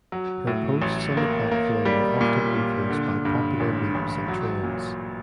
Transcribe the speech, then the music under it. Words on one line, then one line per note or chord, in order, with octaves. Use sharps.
Her posts on the platform were often influenced by popular memes and trends.
F#3
A2
A1
A#3
A#3
G3
A#2
A#2
D3
G2
A1
A1
F#3
A#2